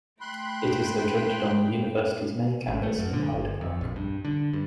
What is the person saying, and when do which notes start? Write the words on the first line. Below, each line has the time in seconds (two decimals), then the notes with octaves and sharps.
It is located on the University's main campus in Hyde Park.
0.21 A3 G5 B5 C6 F#6
2.68 G#1
2.83 A3
2.98 F#2
3.13 D3
3.33 G1
3.61 F2
3.81 A#1
3.96 G2
4.25 D3
4.53 G2